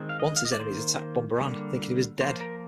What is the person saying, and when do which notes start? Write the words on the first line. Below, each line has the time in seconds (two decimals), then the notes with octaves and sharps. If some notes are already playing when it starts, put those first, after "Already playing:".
Once his enemies attacked Bumbaran, thinking he was dead.
Already playing: D#3 G#3 C4
0.09 F5
0.20 D#5
0.36 F5
0.45 D#5
0.52 D5
0.59 D#3 A#3 C5
1.40 D3 G3 A#3
2.21 F3 A#3 C5
2.41 A#4